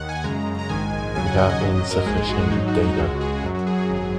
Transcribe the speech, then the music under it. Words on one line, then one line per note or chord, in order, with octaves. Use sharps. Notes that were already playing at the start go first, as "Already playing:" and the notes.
We have insufficient data.
Already playing: D#2 D#3 F#5
G#5
F#2 C#3 G#3 A#5
A#5
A#1 G#2 D#3 G#3 G#5
D#2 C#3 F#3 G#5
F#5
D#5
D#5
G#1 F#2 F#3 D#5
D#5
A#4
A#1 G#2 G#3 G#4
G#4
F#4
F#4
G#1 G#2 F#3 D#4
F#4
D#4
C#2 C#3 G#3 F#4
G#4
F#2 F#3
F#4
G#4
G#4
G#1 F#2 F#3